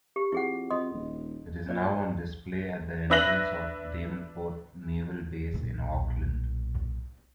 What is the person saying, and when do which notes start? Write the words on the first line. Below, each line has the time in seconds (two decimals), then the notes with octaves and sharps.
It is now on display at the entrance of Devonport Naval Base in Auckland.
0.16 G4
0.32 F2 E4 G#4 F#5
0.71 F2 D#5 C6 D#6
0.93 D#1
1.69 A#2 C#5 D5
3.10 D4 B4 E5 F#6 A#6 F#7
5.54 B1 A#2